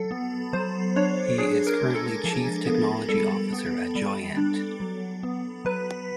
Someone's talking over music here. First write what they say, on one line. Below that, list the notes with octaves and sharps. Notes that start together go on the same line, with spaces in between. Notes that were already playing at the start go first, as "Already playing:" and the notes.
He is currently Chief Technology Officer at Joyent.
Already playing: F#3 A4
B3
F#3 C5
D4 C#5
D4 G#4
A#4
G#3
A4
F3
B3
G3 A4
B3
G3
D4
F#3
B3
F#3 B4